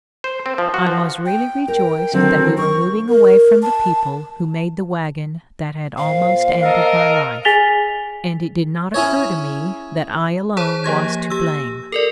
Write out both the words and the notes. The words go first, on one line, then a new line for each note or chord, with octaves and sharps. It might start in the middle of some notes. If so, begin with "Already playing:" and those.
I was really rejoiced that we were moving away from the people who made the wagon that had almost ended my life, and it did not occur to me that I alone was to blame.
C5
C4
F3
F#4
F3
G5
A#4 G5
D3 D#3 F#3 C4
A#4 C#6
A#4
A5
A#2 C5 F5
A4 A#4 D#5
G#4 G#5 A6 B6 F7 G7
C#4 E4 G#4 C#5
G#4 C5 C#5 A5
F3 A#3 G4 G#6
G4 E6
A4 A#4 D5